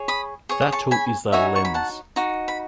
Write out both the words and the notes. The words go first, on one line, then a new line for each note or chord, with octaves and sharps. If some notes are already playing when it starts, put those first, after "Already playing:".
That tool is the "Lens".
Already playing: G#4 C#5
B5 D#6
G#4 C#5 C#6
D#6
A5 C#6
G#5 B5
D#4 F#4 C#5 E5 G#5
C#6
B5
F#5 A5
D#4 F#4
B5